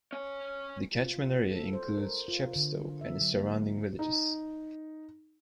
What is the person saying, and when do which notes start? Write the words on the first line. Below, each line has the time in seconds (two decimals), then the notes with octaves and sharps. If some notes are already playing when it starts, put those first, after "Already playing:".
The catchment area includes Chepstow and its surrounding villages.
0.13 C#4 C#5
1.00 F4
1.51 A4
1.73 C5
1.98 A#4
2.28 F4
2.56 D3
3.01 E5
3.21 F#3
3.36 A#3
3.99 D#4